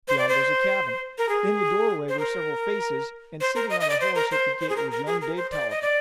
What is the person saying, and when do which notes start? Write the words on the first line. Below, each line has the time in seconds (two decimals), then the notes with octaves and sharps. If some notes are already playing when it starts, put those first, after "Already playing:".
Beyond was a cabin; in the doorway were several faces, and sitting on a horse at the gate was young Dave Tolliver.
0.08 C5
0.19 D5
0.29 C5
1.18 A#4
1.29 G#4
2.09 C5
2.19 A#4
3.41 C5
3.55 A#4
3.70 D#5
3.81 D#5
3.90 D5
4.00 C5
4.15 A#4
4.31 C5
4.61 C5
4.69 G#4
4.76 A#4
4.91 A#4
5.06 G#4
5.21 A#4
5.37 C5
5.52 D5
5.71 D#5
5.82 D5